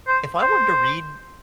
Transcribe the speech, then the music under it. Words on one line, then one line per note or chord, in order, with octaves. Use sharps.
If I wanted to read,
C5
C5